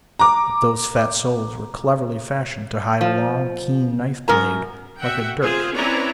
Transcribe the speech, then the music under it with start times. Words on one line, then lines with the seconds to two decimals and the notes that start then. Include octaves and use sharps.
But those fat soles were cleverly fashioned to hide a long, keen knife-blade, like a dirk.
0.19 A#5 D6
3.01 F3
4.28 F#2 A#4 A#5
5.00 F#4 E5 F#5 G5
5.42 C4 F4 G#4 C5
5.75 C4 C#4 E4 B4 D5 A#5